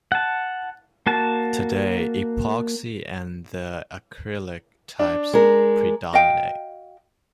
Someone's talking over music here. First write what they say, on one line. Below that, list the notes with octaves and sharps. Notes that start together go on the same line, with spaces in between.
Today, epoxy and the acrylic types predominate.
F#5 A5
A#3 F#4 A5
D4
G#3 A#4
F#4 D#5 F5 G5